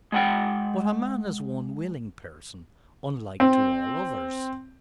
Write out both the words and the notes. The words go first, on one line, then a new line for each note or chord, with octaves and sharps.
'But a man is one willing person, unlike to all others.'
G#3 F#5 G5
C4